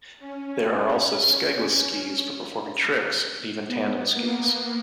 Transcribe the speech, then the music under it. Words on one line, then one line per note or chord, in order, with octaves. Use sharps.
There are also skegless skis for performing tricks, and even tandem skis.
C#4
B3
A#3